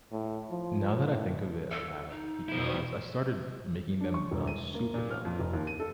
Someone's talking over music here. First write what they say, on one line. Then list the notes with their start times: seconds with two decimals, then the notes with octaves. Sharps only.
Now that I think of it, I have, because I started making them when I was super young,
0.12 A2
0.51 F3
1.08 A2
1.71 A4
2.10 D#4
2.48 B2 F3 E4 G5 D#6
4.01 D4
4.14 C#6
4.31 E1
4.47 D#7
4.74 A#3
4.94 A#2
5.11 F6
5.25 F2
5.39 F1
5.53 D#2
5.67 D#7
5.80 A4